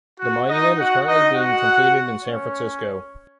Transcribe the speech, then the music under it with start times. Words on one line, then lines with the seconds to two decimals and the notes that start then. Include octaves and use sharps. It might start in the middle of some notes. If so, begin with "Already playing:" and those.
The monument is currently being completed in San Francisco.
0.19 F#4 F#5
0.49 D#4 D#5
0.78 F#4 F#5
1.07 D#4 D#5
1.36 F#4 F#5
2.24 C#4 C#5